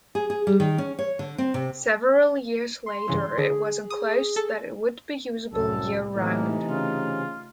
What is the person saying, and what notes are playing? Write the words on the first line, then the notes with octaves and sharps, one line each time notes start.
Several years later it was enclosed so that it would be usable year round.
G#4
G#4
G3
D#3
C#4
C#5
D3
C4
C3
C6
G2 C#3 E3
D3 G#4
D#6
A4
C2 F#2 A2 A4
A2 C3 E3 A3 A#3 D#4
C#3 F4